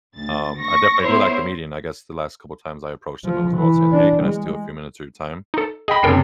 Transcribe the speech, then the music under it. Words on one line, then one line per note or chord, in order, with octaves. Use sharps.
um, I definitely do like the meeting. I guess the last couple times I approached him, it was while saying, "Hey, can I steal a few minutes of your time?"
D2 A6
C#6 A#6
B3 E4 A#4 C5 C#5
F3
E3
D4
G#3
D#4 A4
G#4 D#5 G5 B5 B6
F#1 C3 A#4 G5 C7